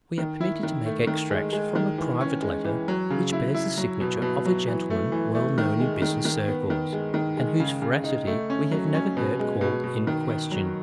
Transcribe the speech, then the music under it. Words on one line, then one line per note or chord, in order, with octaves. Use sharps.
We are permitted to make extracts from a private letter which bears the signature of a gentleman well known in business circles, and whose veracity we have never heard called in question.
D#3
E4
D#3
A3
D#3
G#3
G#3
D#3
E3
C#4
G#3
E3
F#3
C#3
E4
E4
F#3
B2
B2
F#3
E3
A3
E3
A3
D#3
G#3
D#3
D#3
B3
D#3
G#3
D#3
G#3
C#3
C#3
D#4
A3
C#4
F#3
C#4
B2
G#3
B2
B2
D#3
D#3
F#3